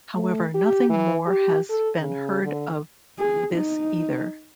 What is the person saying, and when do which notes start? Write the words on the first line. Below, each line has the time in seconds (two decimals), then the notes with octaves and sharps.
However, nothing more has been heard of this either.
0.15 A3
0.54 G4
0.90 E3
1.27 G4
1.70 A4
2.00 C#3
2.43 D3
3.19 G#4
3.54 D#4